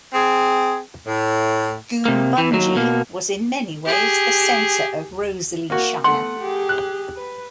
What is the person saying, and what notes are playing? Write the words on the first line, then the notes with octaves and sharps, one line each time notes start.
Goombungee was in many ways the centre of Rosalie Shire.
C4 G#4
A2
C3 A#3
E3
D#2 F#3
B2 A#3
G4 G#4
A#3 F#4
A3 B3 F#5 C6
G4 G#4
F#6
B4